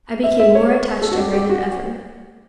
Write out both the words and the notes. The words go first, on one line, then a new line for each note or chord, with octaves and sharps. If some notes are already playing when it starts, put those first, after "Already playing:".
I became more attached to her than ever.
E5
E5
C#5
A4
F#4
G4
G4
F#4